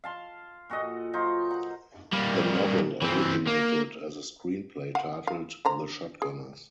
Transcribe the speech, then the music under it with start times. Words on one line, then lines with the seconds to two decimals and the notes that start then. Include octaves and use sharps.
The novel originated as a screenplay titled "The Shotgunners".
0.04 F5 A5 C6
0.70 A#2 F#4 A4 D#5
1.13 F#3 D#4 F4 C5
1.51 F#5 A#5
2.13 G3 A#3
3.02 E3 C4
3.47 A#3
4.95 F5 F#5
5.27 F5
5.65 D3 C5 A#5
6.22 G#4